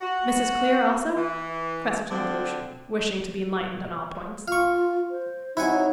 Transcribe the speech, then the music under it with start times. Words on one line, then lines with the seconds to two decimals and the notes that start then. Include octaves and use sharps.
"Mrs. Clear, also?" questioned Lucian, wishing to be enlightened on all points.
0.01 F#4
1.16 E3
2.10 D3 F3 C4
4.48 F4 F5 C#6
5.11 C5
5.57 F#3 C4 D#4 E4 F#5 G#5